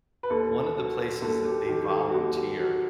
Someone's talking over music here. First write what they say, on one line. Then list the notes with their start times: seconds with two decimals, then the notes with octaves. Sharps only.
one of the places that they volunteered
0.23 B4
0.30 D#2 A4
0.77 F#3
1.22 D#2 A4
1.45 G4
1.68 D#3 G4
1.90 A4
2.09 F#4
2.14 D#2 G4
2.59 F#3